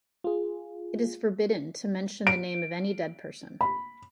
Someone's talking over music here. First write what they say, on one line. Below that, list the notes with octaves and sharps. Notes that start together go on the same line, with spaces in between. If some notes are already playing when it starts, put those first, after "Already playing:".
It is forbidden to mention the name of any dead person.
F4 G#4
D7
B5